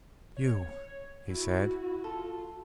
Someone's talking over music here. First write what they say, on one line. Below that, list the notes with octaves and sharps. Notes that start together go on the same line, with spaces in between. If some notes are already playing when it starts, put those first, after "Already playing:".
"You?" he said.
C#5
E4 F#4
F4 A4